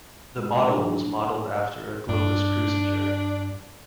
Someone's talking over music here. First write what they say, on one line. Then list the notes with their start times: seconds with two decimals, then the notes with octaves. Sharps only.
The bottle was modeled after a Globus cruciger.
0.37 G#3
0.66 D4
0.78 E3 F#3
2.09 G2 D4